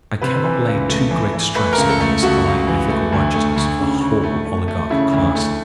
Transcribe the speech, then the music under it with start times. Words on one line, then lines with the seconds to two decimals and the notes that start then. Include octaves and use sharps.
I cannot lay too great stress upon this high ethical righteousness of the whole oligarch class.
0.21 C3 B4
0.44 E3
0.67 C#2
0.89 A3
1.11 E3
1.34 E3
1.55 A3 B4
1.73 A#4
1.78 C#2
1.89 A4
2.00 A3
2.23 C#2 F#4
2.45 C#2
2.67 E3
2.89 A3
3.12 D2
3.34 A3
3.56 D2
3.79 C#3
4.01 D2
4.23 A3
4.45 A3
4.68 A3
4.90 C#3 E4
5.13 D2
5.35 A3